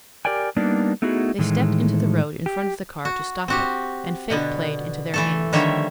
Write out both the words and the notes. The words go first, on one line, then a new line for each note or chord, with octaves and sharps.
They stepped into the road in front of the car to stop it, and fate played into their hands.
G4 A#4 D5 G5 G#5
G3 A#3 B3 D4 D#4
A3 B3 D#4 E4 F#4 G#4
A2 D#3 E3 G#3 A3
G4
F#4
C4 F#4 G4
B2 D3 B3
E3 A3 A4
D3 D#3 F3 G3 C#5 E5